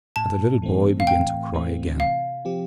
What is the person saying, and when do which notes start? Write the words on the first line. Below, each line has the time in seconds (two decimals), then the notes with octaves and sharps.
And the little boy began to cry again.
0.16 A2 A5
0.62 E3 A3 C4
1.00 F5
1.07 A2 G5
1.53 E3 A3 C4
2.00 C3 F5
2.45 F3 C4 G4